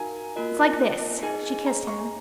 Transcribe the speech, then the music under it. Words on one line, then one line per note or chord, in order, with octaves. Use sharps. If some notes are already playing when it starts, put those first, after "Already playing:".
"It's like this." She kissed him.
Already playing: D#4 F#4 A#4 F5 G#5 A#5
A#3 F4 A#4 D#5
D#4 G#4 D#5 G#5
A#5
C#6